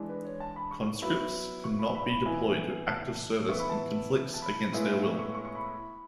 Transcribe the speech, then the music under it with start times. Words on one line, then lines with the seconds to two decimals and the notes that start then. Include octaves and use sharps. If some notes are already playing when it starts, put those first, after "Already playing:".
Conscripts could not be deployed to active service in conflicts against their will.
Already playing: E3 G#3 D4
0.09 B4
0.25 C#5
0.40 A5
0.56 B5
0.71 C#6
0.86 C#6
1.02 F#3 B3 E4 B5
1.64 C#6
1.79 B5
1.95 B5
2.10 B5
2.25 E3 B3 E4 G#5
2.87 A5
3.49 E3 B3 E4 C#6
3.59 B5
3.70 A5
4.34 A5
4.42 B5
4.72 A2 G#3 B3 E4
5.04 C#6
5.19 C#6
5.35 C#6
5.45 C#6
5.55 B5